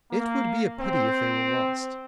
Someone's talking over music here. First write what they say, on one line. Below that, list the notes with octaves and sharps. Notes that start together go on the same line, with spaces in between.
It would be a pity if they were lost.
A#3
C4